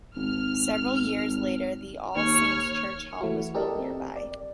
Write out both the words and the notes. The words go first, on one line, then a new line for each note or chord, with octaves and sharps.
Several years later the All Saints Church Hall was built nearby.
G#1 F6
D#2 C#5 F6
E3 A3 E4 F#4
G4 A4 A#4 D5 D#5 A5
C4
D5